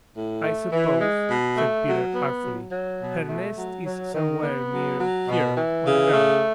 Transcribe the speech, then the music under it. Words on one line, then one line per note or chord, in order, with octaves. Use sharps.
"I suppose," said Peter artfully, "her nest is somewhere near here on the ground."
A2
A3
E3
G#3
B2
A3
F#3
B3
F#3
F#3
B2
A3
F#3
F#3
D#3
B3
F#3
F#3
B2
E3
C#3
A3